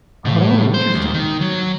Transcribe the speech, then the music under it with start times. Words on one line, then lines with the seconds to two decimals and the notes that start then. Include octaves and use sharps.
Oh, interesting.
0.25 A2
0.74 C5
0.94 D#2
1.14 D#3
1.41 F#3